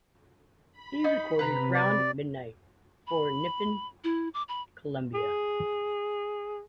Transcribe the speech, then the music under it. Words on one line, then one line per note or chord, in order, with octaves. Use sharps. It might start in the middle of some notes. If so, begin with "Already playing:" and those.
He recorded "Round Midnight" for Nippon Columbia.
B5
D#4
C3 B4 A#5 B5
D5
B5
E4
D6
B5
G#4